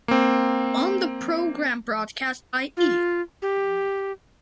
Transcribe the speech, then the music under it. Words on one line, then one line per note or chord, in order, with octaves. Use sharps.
On the programme broadcast by E!
A#3 C4
F4
G4